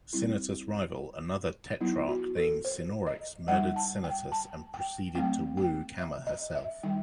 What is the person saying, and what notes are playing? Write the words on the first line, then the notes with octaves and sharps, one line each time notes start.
Sinatus' rival, another tetrarch named Sinorix, murdered Sinatus and proceeded to woo Camma herself.
G3 C4 D#4 E4
F#3 B3 D#4 E4
F#4
A4
C5
D#5
G3 D#4 F#5
A5
G5
A5
G5
F#3 A3 C4 G5
G5
E5
D#5
E5
D#3 G3 D#4 G5